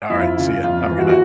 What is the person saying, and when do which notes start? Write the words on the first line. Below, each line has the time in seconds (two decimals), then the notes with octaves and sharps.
Alright, see ya. Have a good night.
0.10 F2 E4
0.20 F4
0.28 E4
0.37 C#3 F4
0.64 F2 F4
0.81 F4
0.91 E3
0.98 F#4
1.09 F#4